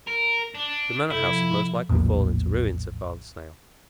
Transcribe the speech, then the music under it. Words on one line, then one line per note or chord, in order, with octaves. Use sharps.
"The manor-house has most likely fallen to ruin!" said Father Snail.
A#4
D4
C3 E4 A4 G6
F3
A#1 E2 A2 A#3